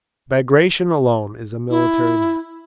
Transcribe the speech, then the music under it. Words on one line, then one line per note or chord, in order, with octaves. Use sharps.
Bagration alone is a military man.
E4